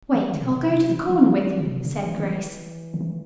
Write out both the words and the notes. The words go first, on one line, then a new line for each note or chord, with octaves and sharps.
"Wait, I'll go to the corner with you," said Grace.
E3
D3
B2
C3
C3
E3
F3
E3
E3
D3
C3
D3
E3
D3
E3
D3
E3